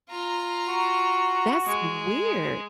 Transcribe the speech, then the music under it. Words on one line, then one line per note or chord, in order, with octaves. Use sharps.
That's weird
F4 A#5
F#4
G#3